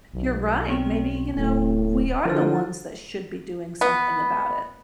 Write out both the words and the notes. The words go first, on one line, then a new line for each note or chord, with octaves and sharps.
you're right. Maybe, you know, we are the ones that should be doing something about it.
B1
B3 C4 G5
D1 A2
D3 F3 E4 F4 A6
B3